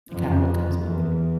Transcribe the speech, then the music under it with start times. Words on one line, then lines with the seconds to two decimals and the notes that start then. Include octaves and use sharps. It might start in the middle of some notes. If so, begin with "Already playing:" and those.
and kinda what comes with it.
0.11 F2
0.85 E2